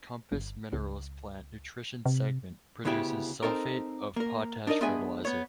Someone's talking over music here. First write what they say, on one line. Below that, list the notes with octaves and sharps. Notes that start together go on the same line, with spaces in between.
Compass Minerals' Plant Nutrition Segment produces sulfate of potash fertilizer.
G1
C#2
C3
D2 C#3 B3 E4 G4
C4 D#4 A4 A#4
A#3 A#4
D4 D#4 A#4 D#5
G#3 B3 D4 G#4 E5 G#5
B3 C#5